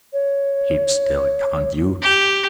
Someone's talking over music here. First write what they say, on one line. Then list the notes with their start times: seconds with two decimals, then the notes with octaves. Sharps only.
"Keep still, can't you?"
0.13 C#5
2.02 G4